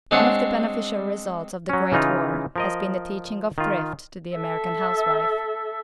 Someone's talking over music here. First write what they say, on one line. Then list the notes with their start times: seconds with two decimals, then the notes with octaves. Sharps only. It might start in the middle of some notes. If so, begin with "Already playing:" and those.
One of the beneficial results of the Great War has been the teaching of thrift to the American housewife.
0.11 G#3 C4 D4 G#4 C#5 F#5
1.69 F#3 C#4
1.92 C#3 E3 D#4 F4
2.56 F3 A#4 D#5
3.58 D#3 F4
4.36 A4 E5